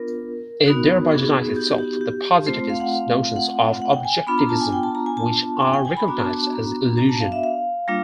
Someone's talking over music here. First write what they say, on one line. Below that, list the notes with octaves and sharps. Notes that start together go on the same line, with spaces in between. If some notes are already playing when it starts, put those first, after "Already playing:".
It thereby denies itself the positivist notions of objectivism, which are recognised as illusion.
Already playing: B3 D4 F4 A#4
B3 D#4 F#4
G#4
G4
G4
G4
A3 C4 F4 C5
F5
F#5
F5
F#5
F#5
G5
G#5
B3 D4 F4 B5
A#5
A5
G#5
G5
A5
A#5
G#5
A5
G#5
G5
G#5
B5
B3 D4 F#4 A#5
A5
A5
A#5
A#5
A5
F5
E5
F5
G3 A#3 D4 F4